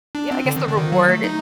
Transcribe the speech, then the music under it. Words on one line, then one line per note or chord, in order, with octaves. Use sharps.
Yeah, I guess the reward
D4
C4
D3
D#3
D3
D#3
F#3
A3
D#4